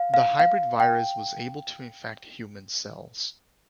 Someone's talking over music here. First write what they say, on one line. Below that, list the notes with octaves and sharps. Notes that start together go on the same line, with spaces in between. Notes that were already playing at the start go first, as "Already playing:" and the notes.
The hybrid virus was able to infect human cells.
Already playing: F5
F5
F5
G5